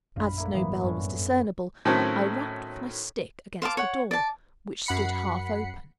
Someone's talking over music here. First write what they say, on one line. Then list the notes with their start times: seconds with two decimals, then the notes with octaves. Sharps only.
As no bell was discernible, I rapped with my stick against the door, which stood half open.
0.16 A#1 F#2 D4 F5 B5
0.37 D3 A#3 E4
0.54 A1 G2 E3 F#3 B3 E4
0.83 F#2 D3 C#4
1.85 A2 D#3 F#3 A3 C4 C#4
3.62 C5 F5 A5 D6
3.77 C#5 F#5
4.11 D5 A5
4.86 F#2 F#5 B5 C7 C#7